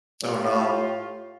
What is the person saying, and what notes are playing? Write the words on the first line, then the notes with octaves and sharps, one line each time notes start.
Oh, no.
A2 F4 G4 C#5